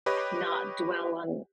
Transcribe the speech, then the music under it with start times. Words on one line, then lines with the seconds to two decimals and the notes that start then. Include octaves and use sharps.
not dwell on
0.06 G4 B4 C#5 D#5